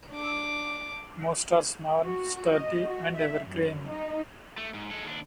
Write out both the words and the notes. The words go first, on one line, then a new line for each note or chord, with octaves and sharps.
Most are small, sturdy and evergreen.
D4 D6
F#4
D#5
F#4
E5
F#2
D#4
A3
G#2
G#3 A4
D#2 D4